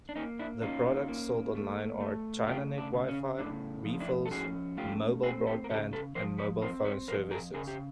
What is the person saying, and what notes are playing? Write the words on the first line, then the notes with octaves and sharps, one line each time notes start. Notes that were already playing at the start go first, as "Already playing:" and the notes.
The products sold online are: ChinaNet Wi-Fi, Refills, Mobile Broadband and Mobile Phone services.
D4
A#3 C#4 D#4
D4 E4
C#4 D#4 F4
A#3
A3
A3
C#3 F4 G4
D4
C#3
C#4
A2 D4
F3
D4 E4
A4
C#4 F#4 G#4
A3 F4 G4
C4 F#4 G#4
G4 A4
A#4
C#3 G4 A4
A4 B4
F3 A#4 C5
B4 C#5
C4 A#4 C5
B4 C#5
F2 A#4 C5
G#4 A#4
C#3 G#4 A#4
G4